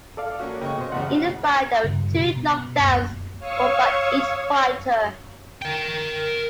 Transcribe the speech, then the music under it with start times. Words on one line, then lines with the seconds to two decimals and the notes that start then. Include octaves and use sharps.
In the fight there were two knockdowns, one by each fighter.
0.17 A4 D5 F5
0.39 A#3 C#4 F#4
0.61 C#3 D#5 G5 C#6
0.78 B2 C5
0.92 A1 A2 C#3 F#5
1.84 G2 C#3
2.16 B2
2.37 B3
2.78 D1 F#2 F#3 A#3
3.39 C#5 F5 C#6 D#6 E6
5.62 A#4 G5